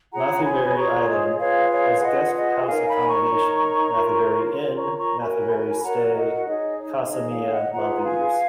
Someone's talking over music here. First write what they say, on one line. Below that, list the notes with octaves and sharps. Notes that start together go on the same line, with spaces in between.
Mathiveri island has guest house accommodation Mathiveri inn, Mathiveri stay, Casa Mia Maldives.
F4 G#4 C#5 F#5 A#5
G#5 B5
B5
F4 G#4 C#5 A#5 C#6
D#5
F4 G#4 B4 C#5 F5
C#5 F5
F4 G#4 B4 D#5 F#5
D#5 F#5
F#5
D#4 A#4 C#5 F5 G#5
G#5 B5
A#5 C#6
D#4 A#4 C#5
F4 A#4 C#5
F4 A#4 C#5
A#5 C#6
A#5 C#6
F#4 A#4 C#5 G#5 B5
G#5 B5
G#5
F#4 A#4 C#5 F#5 A#5
D#5 F#5
D#4 G#4 C#5 D#5
C#5
F5
D#4 G#4 C#5 D#5
C#5 F5
D#5 F#5
F4 G#4 B4 F#5 A#5
A#5
F5 G#5